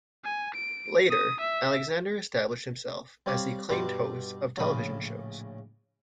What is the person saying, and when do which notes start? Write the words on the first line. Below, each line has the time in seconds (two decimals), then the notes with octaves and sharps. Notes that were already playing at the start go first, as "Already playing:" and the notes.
Later, Alexander established himself as the acclaimed host of television shows.
0.24 G#5
0.55 D7
1.10 D#6
1.41 E5
3.26 G3 C4 C#5 D5 F5
3.69 G2 B2 G3 D4 D5 C6
4.57 A#1 A2 C#3 A3 B5 D#6